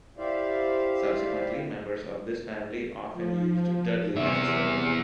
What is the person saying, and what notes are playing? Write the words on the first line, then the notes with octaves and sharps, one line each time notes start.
Subsequently, members of this family often used Dudley as a surname.
E4 G4 C5 D5 E5 F5
F3
E2 C3 E5